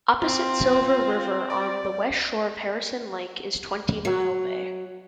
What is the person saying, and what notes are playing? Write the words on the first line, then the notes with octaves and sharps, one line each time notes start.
Opposite Silver River on the west shore of Harrison Lake is Twenty-Mile Bay.
C4 F4
D5
F#3